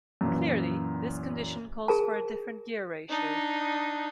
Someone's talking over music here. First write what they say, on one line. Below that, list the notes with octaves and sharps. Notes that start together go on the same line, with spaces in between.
Clearly this condition calls for a different gear ratio.
F#2 A#2 E3
G#4 A#4 A5
D4 D#4